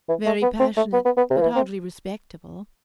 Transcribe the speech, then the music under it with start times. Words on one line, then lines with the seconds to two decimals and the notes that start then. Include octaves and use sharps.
'Very passionate, but hardly respectable.
0.09 E3
0.26 A3
0.42 B3
0.60 C4
0.77 A3
0.93 B3
1.05 B3
1.17 B3
1.30 C3
1.37 F3
1.42 E3
1.56 C4